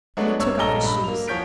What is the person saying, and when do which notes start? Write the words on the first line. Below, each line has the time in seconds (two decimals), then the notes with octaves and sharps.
And he took off his shoes.
0.17 F#3 G#3 A3 B3 D4
0.39 G2 C#5 E6
0.59 A#1 A4 D#5 A#5 E6 G7
0.83 G2 B5
1.04 A#3 F7
1.28 E2 F3 C#5 G6 B6 D7